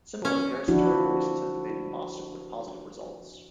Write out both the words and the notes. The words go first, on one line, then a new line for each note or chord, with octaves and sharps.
Similar parasitoid releases have been made in Boston with positive results.
C#4
F3 D4 E4 F#4